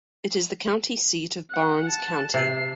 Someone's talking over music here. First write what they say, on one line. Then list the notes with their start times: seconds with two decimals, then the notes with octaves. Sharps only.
It is the county seat of Barnes County.
1.51 F#5
1.90 A5
2.34 C3 C7